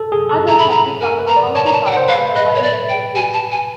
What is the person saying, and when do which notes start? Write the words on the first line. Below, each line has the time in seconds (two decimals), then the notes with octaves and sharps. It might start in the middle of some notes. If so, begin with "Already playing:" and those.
Others have become a county park and a wildlife refuge.
Already playing: A4
0.12 G#4
0.29 A4
0.48 A#5
0.58 B5
0.70 A#5
1.01 A#4 G#5
1.19 B4
1.28 A#5
1.36 D5
1.55 C#5 A5
1.66 A#5
1.73 A5
1.86 G5
1.91 F#5
1.97 C5
2.08 B4 F5
2.36 B4 D#5
2.55 C#5
2.63 D5
2.89 G5
3.16 G#5
3.33 A5
3.52 G#5